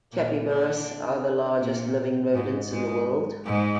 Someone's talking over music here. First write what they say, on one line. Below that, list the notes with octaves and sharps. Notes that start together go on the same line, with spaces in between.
Capybaras are the largest living rodents in the world.
A#2 A#3
D3 D4
A#2 A#3
G#2 G#3
G#2 G#3
G#2 G#3